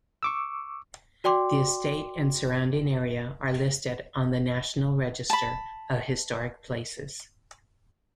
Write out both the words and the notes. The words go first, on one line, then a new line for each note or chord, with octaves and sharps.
The estate and surrounding area are listed on the National Register of Historic Places.
C#6 D6 E6
F#4 D5 G5 C6 D6
A5 B5